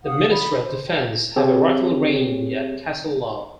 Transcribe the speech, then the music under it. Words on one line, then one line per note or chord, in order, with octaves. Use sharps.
The Ministry of Defence have a rifle range at Castlelaw.
F5 F#5 D#6
B5
C5
F#4 F5 G5 A5
C4 G4 G#4 C#5